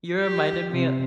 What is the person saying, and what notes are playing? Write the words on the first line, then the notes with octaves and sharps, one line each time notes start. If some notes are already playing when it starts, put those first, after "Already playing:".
You reminded me, uh
G4
C3